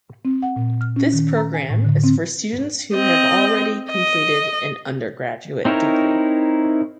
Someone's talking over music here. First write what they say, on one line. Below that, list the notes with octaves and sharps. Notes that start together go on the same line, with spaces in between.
This program is for students who have already completed an undergraduate degree.
C4
F#5
A#2
F6
C#4
D#3
A#5
G#5
A2
D3
C4
C4 D#5
D#5
C4 D#4 E4 A#4 C#5